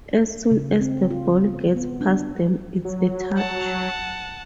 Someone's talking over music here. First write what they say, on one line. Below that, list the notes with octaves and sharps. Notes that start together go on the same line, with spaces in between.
As soon as the ball gets past them, it's in touch.
C#3
C4
F4
B3
B3
D4
F#3
F#5 A5